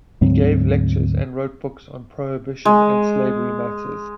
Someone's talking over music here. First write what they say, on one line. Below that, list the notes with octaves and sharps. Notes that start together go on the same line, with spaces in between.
He gave lectures and wrote books on prohibition and slavery matters.
D2 G#2 F#3 C4
G#3